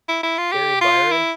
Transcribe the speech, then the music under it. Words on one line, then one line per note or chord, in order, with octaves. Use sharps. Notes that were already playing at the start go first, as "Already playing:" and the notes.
Carrie Byron,
E4
E4
F4
G4
F4
E4